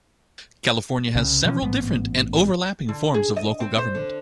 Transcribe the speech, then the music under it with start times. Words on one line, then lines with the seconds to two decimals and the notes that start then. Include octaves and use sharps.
California has several different and overlapping forms of local government.
1.15 C2 C#3
1.45 B2 E3 F3 C#4
1.62 A1 G#2 B3
2.89 D3
3.14 G#4
3.36 D#5
3.60 C4
3.78 C5
3.95 D3